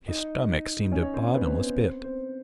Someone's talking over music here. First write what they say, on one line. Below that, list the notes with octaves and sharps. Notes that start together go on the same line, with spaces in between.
His stomach seemed a bottomless pit.
D#4 D#5
C#4 C#5
C#5
C4 C5
B3 B4
B3 B4
C4 C5
C4 C5